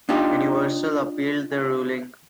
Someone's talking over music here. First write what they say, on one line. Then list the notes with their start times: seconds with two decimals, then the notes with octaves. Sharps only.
Universal appealed the ruling.
0.09 D4 D#4 F4 G4